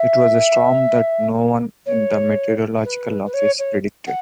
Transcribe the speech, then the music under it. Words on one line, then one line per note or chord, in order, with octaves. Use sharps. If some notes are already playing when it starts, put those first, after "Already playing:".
It was a storm that no one in the meteorological office predicted.
Already playing: E5
C#5
B4
B4
C#5
C#5
F#5